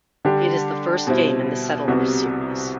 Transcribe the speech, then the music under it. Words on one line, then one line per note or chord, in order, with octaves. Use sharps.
It is the first game in "The Settlers" series.
D3 G3 D4 G4
B2 G3 C4 E4
C2 C3 G3 B3 F#4